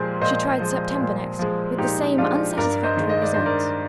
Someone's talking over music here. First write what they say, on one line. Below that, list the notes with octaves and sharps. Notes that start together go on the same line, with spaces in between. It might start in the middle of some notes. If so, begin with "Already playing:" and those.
She tried September, next--with the same unsatisfactory results.
Already playing: A#2 F3 G#3 G4 G#4 A#4 C5
A#2 C5 D#5
F3 G#3
A#2
F3 G#3
A#2 D#4 G4
F3 G#3 D4 F4
G2 A#4 D5
C5 D#5
D#3 G#3
D#5
D5
G2 C5
A#4 D5